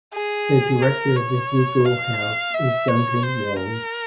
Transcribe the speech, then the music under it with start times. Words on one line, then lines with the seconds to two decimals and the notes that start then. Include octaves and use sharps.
The Director of Ezechiel House is Duncan Wong.
0.14 G#4
0.82 A#4
1.17 C#5
1.85 F5
2.54 E5
2.88 C#5
3.23 C5
3.57 A#4